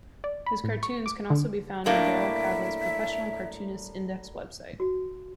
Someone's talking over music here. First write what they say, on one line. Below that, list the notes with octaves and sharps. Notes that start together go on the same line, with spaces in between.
His cartoons can also be found in Daryl Cagle's Professional Cartoonists Index website.
D5
B5
A2
C#6
D6
D3
A2 A#3 D4 E5
F#4